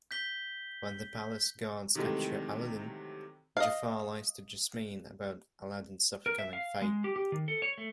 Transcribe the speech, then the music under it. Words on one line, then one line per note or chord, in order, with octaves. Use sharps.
When the palace guards capture Aladdin, Jafar lies to Jasmine about Aladdin's upcoming fate.
G6 B6 G7
C3 D#3 E3 F#3 G#3 A3
D#5 F5
A#4
E5
F5
G#3
G4
G4
D#3
A4
C#5
A3